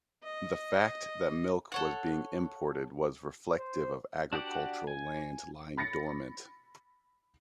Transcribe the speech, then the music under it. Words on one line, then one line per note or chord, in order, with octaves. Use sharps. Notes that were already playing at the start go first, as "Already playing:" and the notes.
The fact that milk was being imported was reflective of agricultural land lying dormant.
D#5
A4 C#5 F#5
C5
D4 F#4 G4 D5 F#5
G#5
B5 A6 A#6 C#7